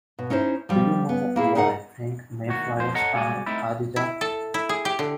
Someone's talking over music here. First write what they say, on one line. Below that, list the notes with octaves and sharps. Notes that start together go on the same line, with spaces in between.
Do you know what I think Mayflowers are, Khadija?
B2
C#4 D#4 E4 C5
F3 G3
B3
A#3 E4 G#4
C#3 D#4 G#4 A#4 F#5
A2 D#3 F#4
F2 A2 C5
A4 C#5 D#5 F#5 A5 A#5
C2 G#3 F#4 D5 G#5
A3 C4 D#4 E4
E4
A4
E4
G#4
G4
D3